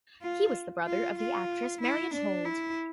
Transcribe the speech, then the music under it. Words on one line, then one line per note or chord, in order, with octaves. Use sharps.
He was the brother of the actress Marianne Hold.
F4
F4
F4
E4
D4
E4